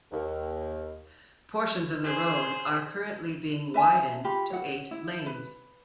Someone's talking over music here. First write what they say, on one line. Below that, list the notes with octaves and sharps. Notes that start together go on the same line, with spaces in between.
Portions of the road are currently being widened to eight lanes.
D#2
G#4 C5
B4 E5 G#5 A5
F4 G4 B5
C#5 F#5
E4
B4